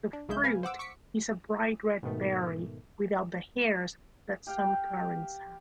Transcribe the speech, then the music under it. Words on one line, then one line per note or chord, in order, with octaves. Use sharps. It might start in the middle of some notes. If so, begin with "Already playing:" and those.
The fruit is a bright red berry, without the hairs that some currants have.
D4
B1 C#3 G#3 G#4 E5 G6
B4 F5 G#5
C5 F#5 D6 E6
C#6 D6 B6 C#7
G#2 B2 D#3 A3
G4 F5 G5